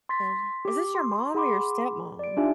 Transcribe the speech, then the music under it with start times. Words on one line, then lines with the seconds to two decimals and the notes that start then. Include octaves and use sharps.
god. Is this your mom or your stepmom?
0.09 C6 A6 B6
0.65 G4 D6
0.95 C6
1.34 G#4 F#5 B5 C6 D6
2.19 D5 D7
2.37 D4 D#4 F4 G4 E5 G#5